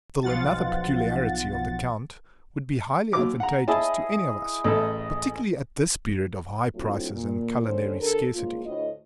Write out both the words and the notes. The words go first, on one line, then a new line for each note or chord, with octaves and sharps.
Still another peculiarity of the Count would be highly advantageous to any of us, particularly at this period of high prices and culinary scarcity.
B1 F3 F4 F#5 A6
D#2 F#3 D6
F#5 A#5
E4 G#4 D#5 A5
A1 A3 A4 D#5
F#3 A3 C4 D4 E4 F4
A#2
D#2 D3 C#4 A4 C5
D3 G4 A4 A#4
G#2 C#3 A#3 F4
D2 A2 D#5